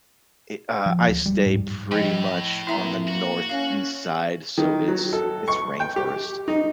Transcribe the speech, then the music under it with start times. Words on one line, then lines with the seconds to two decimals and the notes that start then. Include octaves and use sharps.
it uh, I stay pretty much on the northeast side, so it's it's rainforest.
0.86 F3
1.08 D1
1.26 G3
1.46 G#2
1.92 A2 F3 D#5 G5
2.67 A#3 B3 E4 E5 A#5
3.08 A#2 F3 A#3 F#4
3.49 C#4 F5
4.58 D#3
4.88 F#3
5.13 A4
5.48 C#6
5.80 G5
5.96 G4
6.48 D#4